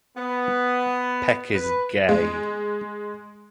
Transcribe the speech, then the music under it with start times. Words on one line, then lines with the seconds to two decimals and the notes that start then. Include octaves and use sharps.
Peck is gay.
0.17 B3
1.54 B4
2.09 G#3